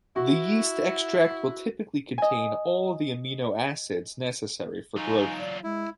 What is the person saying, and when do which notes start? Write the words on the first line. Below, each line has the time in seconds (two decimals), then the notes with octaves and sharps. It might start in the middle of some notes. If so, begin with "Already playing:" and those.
The yeast extract will typically contain all the amino acids necessary for growth.
0.16 E4 F#4
2.18 D#5 G#5
4.97 F#3 D#4 F4 G#5
5.39 D5
5.64 G#3 E4